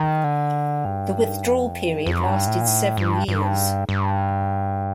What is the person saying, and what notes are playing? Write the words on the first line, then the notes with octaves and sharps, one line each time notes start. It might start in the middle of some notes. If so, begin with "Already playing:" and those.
The withdrawal period lasted several years.
Already playing: D#3
D3
G2
F2
G2
F2
G2
A2
A#2
A2
G2
G2
G2